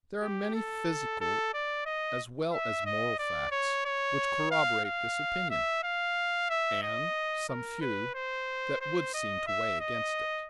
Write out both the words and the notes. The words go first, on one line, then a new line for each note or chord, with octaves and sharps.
There are many physical as well as moral facts which corroborate this opinion, and some few that would seem to weigh against it.
G4
A4
A4
D5
D#5
E5
D#5
D5
C#5
C#5
F5
F5
E5
F5
E5
D#5
A#4
B4
C5
C5
D#5
E5
D#5